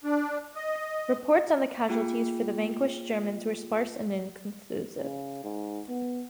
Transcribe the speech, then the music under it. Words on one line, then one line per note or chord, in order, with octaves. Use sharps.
Reports on the casualties for the vanquished Germans were sparse and inconclusive.
D4
D#5
A#3 F4 G#4 G5
C#3
G#2
B3